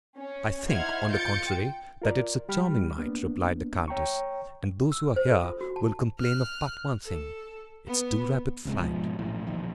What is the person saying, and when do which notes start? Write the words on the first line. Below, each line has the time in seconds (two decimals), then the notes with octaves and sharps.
"I think, on the contrary, that it is a charming night," replied the countess, "and those who are here will complain of but one thing--its too rapid flight."
0.16 C#4
0.67 D#4 E4 C5 F#5 F6 G#6
1.10 F4 G6 A6 C#7 D7
1.49 G5
2.02 F4 A#4 D5
2.48 C#2 G3 G4 B5 F6
2.98 A#3 B3 D4
3.88 C#5 G5 A#5 C#6
4.92 E6
5.16 C5
5.30 A4
5.44 F4
5.61 F#4
5.76 A5
6.19 F6 F#6
7.04 A4
7.87 B3
8.65 C#2 C3 G#3
8.79 G#2 B2 F3
9.19 A#1 A2 E3
9.47 E1 A#1 D#3